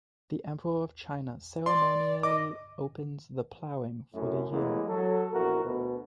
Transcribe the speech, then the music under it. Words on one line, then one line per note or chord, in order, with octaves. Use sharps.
The emperor of China ceremonially opens the ploughing for the year.
D5 C6
D#5 D6
F#2 A2
A1 E2 A2 E3 G#3 A#3
F#3 A4
A#1 E2 E4 F#4 A#4
D2 B2